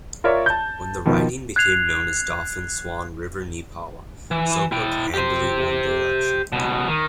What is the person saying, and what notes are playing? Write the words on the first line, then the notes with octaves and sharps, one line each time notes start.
When the riding became known as Dauphin-Swan River-Neepawa, Sopuck handily won the election.
F4 A#4 C#5 D5 E5 C#6
A5 G6
B2 D#3 F3
F#6 G#6 C7 F7
E3
E4 G5
G4 C5
C#2 B2
D#3